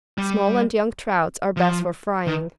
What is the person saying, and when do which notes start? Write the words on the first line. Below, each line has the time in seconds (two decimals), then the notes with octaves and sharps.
Small and young trouts are best for frying.
0.18 G3
1.57 F3
2.27 D#3